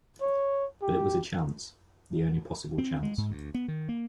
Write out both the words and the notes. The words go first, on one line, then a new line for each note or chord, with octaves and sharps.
But it was a chance, the only possible chance.
C#5
G4
C4
G#3
G#2
D2
B3
D#3
A#3